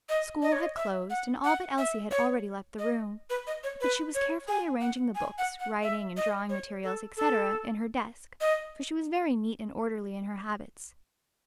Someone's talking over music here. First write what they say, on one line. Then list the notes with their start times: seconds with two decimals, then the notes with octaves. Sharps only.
School had closed, and all but Elsie had already left the room; but she was carefully arranging the books, writing and drawing materials, etc., in her desk, for she was very neat and orderly in her habits.
0.09 D#5
0.42 D#5
0.52 C#5
0.61 D#5
0.76 E5
1.10 F#5
1.44 F#5
1.78 E5
2.11 C#5
2.79 D#5
3.30 B4
3.47 D#5
3.64 C#5
3.81 B4
4.15 C#5
4.48 G#5
4.81 F#5
5.15 G#5
5.38 F#5
5.60 F#5
5.83 E5
6.17 D#5
6.50 C#5
6.84 A4
7.17 A4
8.41 D#5